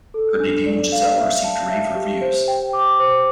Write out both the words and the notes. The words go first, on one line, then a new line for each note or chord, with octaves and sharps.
Her debut in "Giselle" received rave reviews.
A4
D4
D5
F5
E5
A5
E5
G4
C5
G5
D6
C5